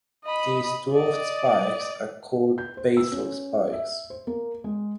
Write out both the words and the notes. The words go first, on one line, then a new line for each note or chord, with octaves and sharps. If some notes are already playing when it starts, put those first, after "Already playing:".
These dwarfed spikes are called "basal spikes".
D#5 B5
D5 D#5
G6
C5
E6
C#4
E5
C5
A#3
G#3